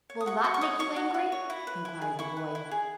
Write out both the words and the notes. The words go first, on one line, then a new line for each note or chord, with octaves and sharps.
"Will that make you angry?" inquired the boy.
C#5
D#6
F#4 C#6
F#4 C#6
C#6
C#5 D#6
C#5 C#6
F#4
F#4
C#5
E4
B4
E4
G#4
E4 C#6
B4
E4
G#4